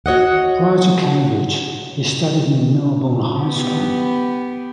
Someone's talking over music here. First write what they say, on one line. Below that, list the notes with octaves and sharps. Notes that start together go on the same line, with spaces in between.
Prior to Cambridge he studied in Melbourne High School.
F#4 C#5 D#5 F#5
B3 G4